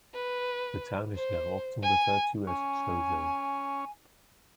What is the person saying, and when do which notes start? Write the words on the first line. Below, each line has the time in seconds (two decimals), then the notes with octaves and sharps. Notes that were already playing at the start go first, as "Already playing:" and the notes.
The town is now often referred to as 'Zozo.
0.14 B4
1.15 C5
1.82 G#5
2.47 C#4 G#5